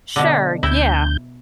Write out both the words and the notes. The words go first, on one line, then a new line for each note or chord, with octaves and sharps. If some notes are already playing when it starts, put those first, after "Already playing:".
Sure, yeah.
B2 D3
D2 E4 G6